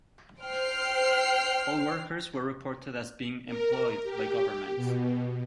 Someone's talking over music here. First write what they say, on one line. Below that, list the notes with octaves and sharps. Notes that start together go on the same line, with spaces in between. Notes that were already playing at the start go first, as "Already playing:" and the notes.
All workers were reported as being employed by governments.
C5 G5 F6 C7
A#4
G4
B2